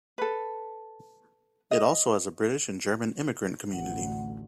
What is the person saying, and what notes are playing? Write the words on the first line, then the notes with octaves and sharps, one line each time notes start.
It also has a British and German immigrant community.
A4 B4
D#5
A1 D2 F#5